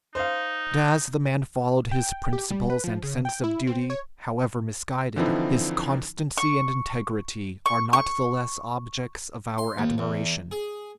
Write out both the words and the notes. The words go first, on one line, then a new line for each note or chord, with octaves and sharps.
But as the man followed his principles and sense of duty, however misguided, his constancy and integrity are not the less objects of our admiration.
D#4 C5 F5
G5
G4
G3
B4
F3
C#3
G5
E4
C4
C#5
D3 E3 F3 C4 D#4 E4
C#6
C#6
C#6
C6
D#2
E2
G#4